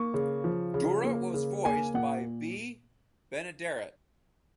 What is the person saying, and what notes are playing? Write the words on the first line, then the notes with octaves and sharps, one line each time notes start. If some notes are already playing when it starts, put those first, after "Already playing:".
Dora was voiced by Bea Benaderet.
Already playing: A#3 C#6
C#3
F3
C#3
A#3
C#3
A#3 G#5
A#2 F#5